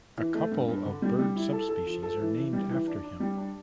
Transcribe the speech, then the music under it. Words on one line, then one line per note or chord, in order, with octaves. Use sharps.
A couple of bird subspecies are named after him.
E3
A3
G2
G2
D3
G3
G3
E4
A4
A4
F3
A4
E3
E3
G3
E3
D4
D4
G3
D4